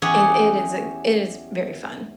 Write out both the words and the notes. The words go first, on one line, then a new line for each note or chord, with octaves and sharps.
i it it is it is very fun.
E2 C#4 G4 G#4 C#5 F#5